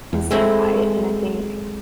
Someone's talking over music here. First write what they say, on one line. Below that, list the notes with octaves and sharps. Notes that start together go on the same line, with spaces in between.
and staying quiet, and I think,
E2
G#3 A3 C4 E4